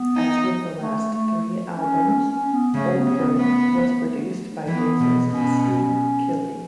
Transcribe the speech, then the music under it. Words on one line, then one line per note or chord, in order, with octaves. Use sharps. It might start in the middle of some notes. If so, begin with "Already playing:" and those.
As with the last three albums, "Old Growth" was produced by bassist Steve Kille.
Already playing: B3
D#4
A3
A3
C#4
C#4
C#4
B3
C#3 A3
B3
C#3
B3
A3 B3
E3 B3
B2
B2 C#4